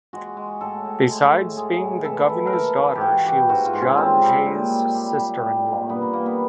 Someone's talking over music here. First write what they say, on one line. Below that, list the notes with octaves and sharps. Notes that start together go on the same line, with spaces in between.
Besides being the governor's daughter, she was John Jay's sister-in-law.
G#3 F#4
G#3
A2 A4
A2
G#3
A2
G#3 G#4
A2
E3 A4
E3
A#4
E3 A4
E3
G4
G#2 F#4
E3 G4
G#2 F#4
F4
G#2
C#4
G3 C4
G3
A#2
G3
G3
G3
G3
A#2
G2 B3
A#3
E3 A#3
B3